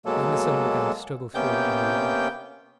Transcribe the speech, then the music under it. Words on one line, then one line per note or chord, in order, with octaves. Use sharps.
Then the sun began to struggle through and we were off.
B2 F#3 G#3 A#3 A4
C3 A#3 B3 C#4 G5 G6